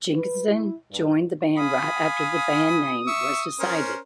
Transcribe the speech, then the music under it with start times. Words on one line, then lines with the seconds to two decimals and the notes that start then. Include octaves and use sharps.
Jenkinson joined the band right after the band name was decided.
0.13 B4
0.46 E4
0.90 G2
1.57 F5 G#5 B5 D#6
3.07 E5 C#6 E6
3.60 C#4 A#4 C5